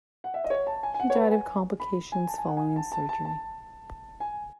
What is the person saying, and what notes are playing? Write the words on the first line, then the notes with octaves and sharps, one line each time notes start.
He died of complications following surgery.
F#5
E5
D#5
C#5
A5
G#5
G#5
F#5
C#5
B4
G#5
B5
G#5
A5
G#5
F#5
G#5
A5
A5
A5
A5
G#5